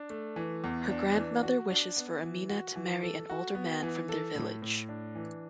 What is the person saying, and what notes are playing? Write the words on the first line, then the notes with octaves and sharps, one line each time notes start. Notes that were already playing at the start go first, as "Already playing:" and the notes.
Her grandmother wishes for Amina to marry an older man from their village.
Already playing: D4
A3
E3
E2
D4
E3
F#4
D4
B3
E3
F#4
E3
A4
F#4
B3
E3
A4
A2
A2
D4
E3